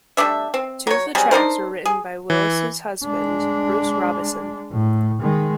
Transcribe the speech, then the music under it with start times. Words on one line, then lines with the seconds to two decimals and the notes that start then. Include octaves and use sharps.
Two of the tracks were written by Willis's husband Bruce Robison.
0.17 G3 A3 D4 E5
0.54 C4
0.87 F#3 C#5
1.15 F#3 G3 C4 G#4
1.31 D4 D#4 A#4 C5
1.86 G#4
2.30 E3
3.05 G#3 D4
4.72 A2
5.21 D#3 G#3